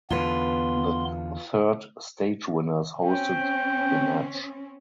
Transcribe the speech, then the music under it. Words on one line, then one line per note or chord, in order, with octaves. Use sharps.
The third stage winners hosted the match.
E2 D3 B3 F4 B4 C6
C4 C#4 G5